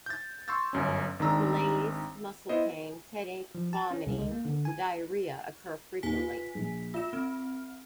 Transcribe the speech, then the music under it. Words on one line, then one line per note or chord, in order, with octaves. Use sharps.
Malaise, muscle pain, headache, vomiting, and diarrhea occur frequently.
G6 A6
C6 C#6 E6 G6 A6
G1 F#2 C#4
G#1 D#3 G#3 D4 A#5 E6
B3 E4 C5 D#5
F3
A5
C#4
C2
G#3
A#3
D3
G#5
D#2 G#5 B6
F4 B4
A#1
F4 E5 E7
C4